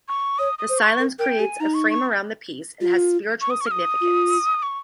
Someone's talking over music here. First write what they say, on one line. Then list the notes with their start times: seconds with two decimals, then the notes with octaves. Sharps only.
This silence creates a frame around the piece and has spiritual significance.
0.08 C#6
0.39 C#5 D#6
0.59 D#6
0.69 C5
0.79 C#6
0.99 A#4
1.19 A#4 G5
1.39 G4 G#5
1.60 D#4 A#5
1.74 C#6
1.90 C#6
2.81 F4
3.41 C#6
3.51 D#6
3.61 C#6
3.66 F6
3.71 D#6
4.01 F4
4.63 C#6